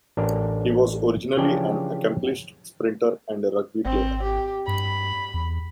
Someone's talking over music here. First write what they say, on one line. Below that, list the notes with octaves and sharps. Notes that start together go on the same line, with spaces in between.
He was originally an accomplished sprinter and a rugby player.
A1 D4 A#4 D5
C#3 E3 F3 C#4 D4 G4
G#1 C4
G4
G2 B5
E2